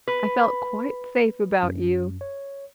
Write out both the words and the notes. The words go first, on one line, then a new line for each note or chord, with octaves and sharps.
I felt quite safe about you.
B4
F#2
C#5